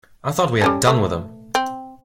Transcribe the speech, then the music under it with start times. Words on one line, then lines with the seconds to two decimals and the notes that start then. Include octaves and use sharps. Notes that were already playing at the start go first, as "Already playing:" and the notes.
I thought we had done with him.
0.61 G3 C#4 A4
0.87 A3
1.55 C4